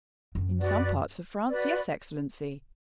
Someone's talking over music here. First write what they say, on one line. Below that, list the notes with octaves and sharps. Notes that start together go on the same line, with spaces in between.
"In some parts of France--yes, excellency."
F#2
F#4 B4 D5
F#4 B4 D5